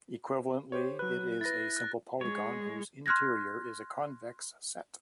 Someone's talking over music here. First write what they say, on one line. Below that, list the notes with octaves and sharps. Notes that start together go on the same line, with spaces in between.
Equivalently, it is a simple polygon whose interior is a convex set.
G4 C5 C#5
F#3 B4 F#6
E4 B4 A6 A#6
F#6
G#3 C#5
C6 F6 F#6 G#6 A#6